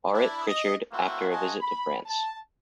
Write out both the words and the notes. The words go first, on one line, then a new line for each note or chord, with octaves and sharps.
Auret Pritchard after a visit to France.
D4 E4
D#5
A3 A#3 C4 E4 F#4
F4 F#4 G#4 D#5 G#5 A5
B5
A5